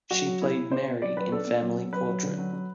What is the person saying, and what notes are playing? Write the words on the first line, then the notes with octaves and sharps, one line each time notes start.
She played Mary in "Family Portrait".
F#3 F#4
F#3
B2 E4
B2
B2 C5
B2
F#3 D5
F#3 B4
D4 A4
B3
F#3
B3
F#3 B4
F#3
D3
F#3
F#3